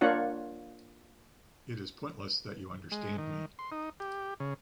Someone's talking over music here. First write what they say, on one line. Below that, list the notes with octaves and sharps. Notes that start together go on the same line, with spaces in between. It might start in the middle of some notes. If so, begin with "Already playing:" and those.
It is pointless that you understand me.
A#3 D4 F4 C#5 F#5
G#3
D#3
C6
D#4
G4
C#3